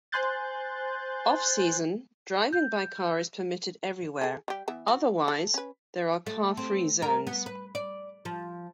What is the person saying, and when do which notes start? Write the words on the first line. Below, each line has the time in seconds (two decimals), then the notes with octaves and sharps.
Off-season, driving by car is permitted everywhere, otherwise there are car-free zones.
0.12 C5 G#5 C6 F#6 G6 A6
2.53 G6
4.21 G#4 A4
4.48 G3 G4
4.68 E3 B3 E5
4.88 F#4
5.28 A4
5.54 C#4 B4
6.26 A3
6.57 C4
7.02 A#4
7.27 B3
7.46 B4
7.75 D5
8.25 F3